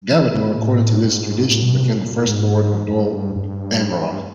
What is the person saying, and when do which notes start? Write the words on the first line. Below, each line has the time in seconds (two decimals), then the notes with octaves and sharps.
Galador, according to this tradition, became the first Lord of Dol Amroth.
0.11 E3
0.23 D3
0.35 C#3
0.40 B2
0.46 A#2
0.58 A2
1.04 G#2
1.51 A2
1.62 B2
1.73 C3
1.85 B2
1.97 A#2
2.12 A2
2.27 G#2
2.89 G2
3.36 G2